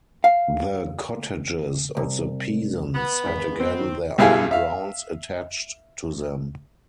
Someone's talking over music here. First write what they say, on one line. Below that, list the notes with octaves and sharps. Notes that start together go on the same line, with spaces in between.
The cottages of the peasants had again their own grounds attached to them.
F5
C2
B3
G#1 G#4 B6
B3 C4
D#3
B1 G2 E4 G#4 F5 G#5
E5 F5